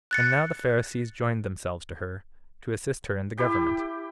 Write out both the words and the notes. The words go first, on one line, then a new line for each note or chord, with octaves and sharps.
And now the Pharisees joined themselves to her, to assist her in the government.
F#6 A6 C#7
E4 G4 G5